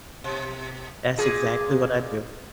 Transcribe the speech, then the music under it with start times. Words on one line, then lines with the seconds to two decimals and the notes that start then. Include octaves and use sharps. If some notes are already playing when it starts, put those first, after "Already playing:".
That's exactly what I do.
0.24 B2
1.18 A#2 G#4